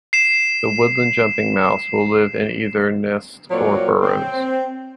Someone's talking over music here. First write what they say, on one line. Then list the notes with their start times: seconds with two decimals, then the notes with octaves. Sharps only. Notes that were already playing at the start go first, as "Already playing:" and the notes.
The woodland jumping mouse will live in either nests or burrows.
0.13 C7 E7
3.51 A#2 F#3 A#3 C4 C#5 D5
4.02 C4